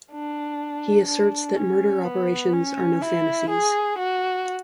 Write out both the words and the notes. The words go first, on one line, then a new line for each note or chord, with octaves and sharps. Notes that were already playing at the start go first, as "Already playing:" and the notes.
He asserts that murder operations are no fantasies.
D4
D4
C#4
B3
C#4
E4
G#4
F#4